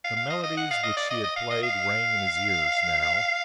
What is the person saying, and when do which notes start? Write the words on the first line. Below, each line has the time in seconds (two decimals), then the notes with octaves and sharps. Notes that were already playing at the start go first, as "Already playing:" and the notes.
The melodies which she had played rang in his ears now.
0.04 F5
0.17 F5
0.30 D#5
0.44 D#5
0.57 F#5
0.71 F5
0.83 D#5
0.97 D5
1.10 D#5
1.24 D#5
1.36 F5
1.50 D#5
1.63 F5